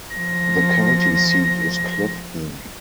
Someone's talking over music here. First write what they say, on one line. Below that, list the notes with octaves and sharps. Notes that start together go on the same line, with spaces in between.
The county seat is Clifton.
F3 A#6